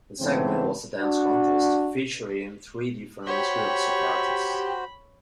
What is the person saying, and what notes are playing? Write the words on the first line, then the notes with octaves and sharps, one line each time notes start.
The segment was a dance contest featuring three different groups of artists.
G#2 C#3 E3 A3 B3 C4
D4 F#4
F#4 G4 C5 C#5 B5